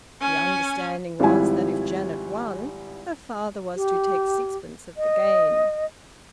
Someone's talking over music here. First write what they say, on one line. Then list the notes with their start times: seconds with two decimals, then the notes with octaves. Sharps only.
The understanding was that if Janet won, her father was to take sixpence of the gain.
0.20 C#4 G#5
1.20 G#1 F3 G3 E4 G#5
3.75 G4
4.97 D#5